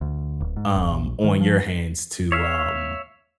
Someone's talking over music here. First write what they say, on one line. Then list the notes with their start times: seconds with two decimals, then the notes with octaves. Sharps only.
um, on your hands to, um,
0.01 D2
0.40 D1
0.56 G#2
0.76 D1
0.91 A#1
1.24 D#3
1.41 F3
2.32 C#5 E5 F5